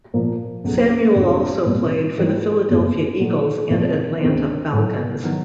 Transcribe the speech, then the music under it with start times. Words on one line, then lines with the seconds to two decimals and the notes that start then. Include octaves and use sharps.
Samuel also played for the Philadelphia Eagles and Atlanta Falcons.
0.14 A#2 F3 A#3
0.64 C#2 B2 F#3 A3
1.15 F1 F2 D3
1.66 C2 A#2 G3
2.17 G#2 E3 G3 A#3
2.68 F#1 E2 B2
3.19 A#2 F#3 A3
3.70 C2 A#2 F3 G#3
4.21 D2 C3 D#3 G#3 C4
4.72 A2 F#3 A3
5.23 D#3 F#3 B3